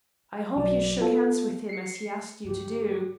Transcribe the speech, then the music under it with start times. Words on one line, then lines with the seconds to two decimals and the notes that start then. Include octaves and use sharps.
"I hope you shook hands with him as he asked you to do?"
0.55 B1 F#3 D5
0.99 B3 F4 A4
1.69 C7 C#7
2.44 G2 D3 G4